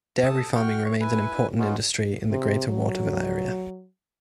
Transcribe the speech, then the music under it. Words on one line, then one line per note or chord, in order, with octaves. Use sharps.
Dairy farming remains an important industry in the greater Waterville area.
A4 A5 D#6
F#4 G5 C#6 F6
C#5
E4 B4 G#5
G#3 B3 C#4 D#4 F4 F#4
C3
F#3